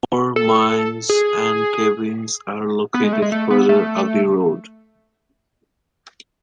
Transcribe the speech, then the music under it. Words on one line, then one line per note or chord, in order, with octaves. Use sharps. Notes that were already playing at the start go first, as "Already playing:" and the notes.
More mines and cabins are located further up the road.
A4
G#4
B3
G#3
A3
G#3
A3
B3
A3